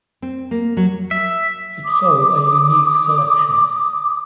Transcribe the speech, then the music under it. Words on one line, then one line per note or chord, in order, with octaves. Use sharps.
It sold a unique selection.
C4
A#3
F#3
E5
D6 D#6